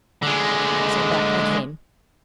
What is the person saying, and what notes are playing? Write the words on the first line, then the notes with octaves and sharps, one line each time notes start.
So back I came.
D3 G#3